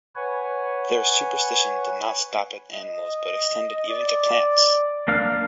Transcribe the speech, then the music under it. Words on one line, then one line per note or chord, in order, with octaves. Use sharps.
Their superstition did not stop at animals but extended even to plants.
B4 C#5 F#5 G#5
D#5
D5
A#3 D4 F5